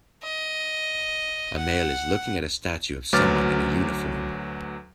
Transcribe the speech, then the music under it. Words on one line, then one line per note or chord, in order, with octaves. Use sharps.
A male is looking at a statue of someone in a uniform.
D#5
F#5
D2 F#3 B4 D6 F6 A6